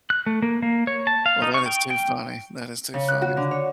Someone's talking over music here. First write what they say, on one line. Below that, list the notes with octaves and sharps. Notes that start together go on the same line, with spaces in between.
Well, that is too funny, that is too funny.
F#6
A3
A#3
A#3
C#5
A5
F5
D#4
C#6
G5
G5
C#3
F#6
F#4
D3
C#5